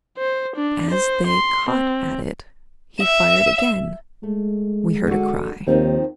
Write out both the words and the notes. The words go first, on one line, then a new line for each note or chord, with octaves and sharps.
As they caught at it, he fired again--we heard a cry--.
C5
D4
C5
C6
C4
E5
G#3 A3
D3 F#4
D#2 D#3 F3 C4